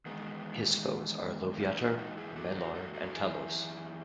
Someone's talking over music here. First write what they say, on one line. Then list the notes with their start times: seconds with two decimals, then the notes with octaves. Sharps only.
His foes are Loviatar, Malar and Talos.
0.06 E2 D#3 G#3 B3
1.59 G#2 E3 C#4 E4
1.78 D#4 F#4
1.98 D#4 F#4
2.17 E4 G#4
2.36 F#4 A4
2.55 F#4 A4
2.74 F#4 A4
2.94 F#4 A4
3.13 F#2 E3 E4 G#4